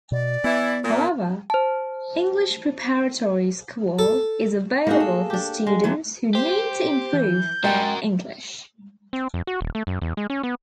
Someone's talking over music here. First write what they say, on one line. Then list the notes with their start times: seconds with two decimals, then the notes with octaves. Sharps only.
However, English Preparatory School is available for students who need to improve their English.
0.12 B2 D5
0.44 E3 B3 E4
0.83 A#2
1.50 C5 A5
3.99 A4
4.87 A3 A#3 D#4 F#4 G#4
5.00 A4
5.30 D4 G4
5.67 G#3
5.84 D3 E3 F#3
6.35 G4 C5
7.13 E3 G6
7.64 G#3 F#4 A#4 G5 A6
9.13 C4
9.34 F2
9.47 F#4
9.61 D#1
9.75 A3
9.87 F#2
10.02 E2
10.17 G#3
10.30 C#4
10.43 B3